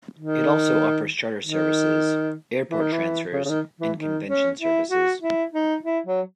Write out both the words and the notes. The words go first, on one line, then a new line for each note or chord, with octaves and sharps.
It also offers charter services, airport transfers, and convention services.
D#3
D#3
E3
D#3
E3
C#3
C#3
D#3
E3
D#3
C#4
E4
F#4
E4
D#4
E4
F#3